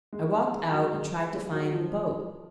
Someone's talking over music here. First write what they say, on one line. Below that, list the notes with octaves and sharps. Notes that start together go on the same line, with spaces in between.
I walked out and tried to find the boat.
G#3
G#3
G#3
F#3
G#3
G#3
F#3
F3